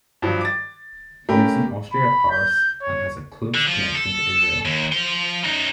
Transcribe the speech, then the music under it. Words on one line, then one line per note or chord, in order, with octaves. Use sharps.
He lives in Austria, Paris and has a close connection to Israel.
G2 F3 F#3
D6 A6
A3 C#4 G4 A#4 B5
B5
G6
C#5
D3
F3
A4
D#2
F3 C6
F#2 D#4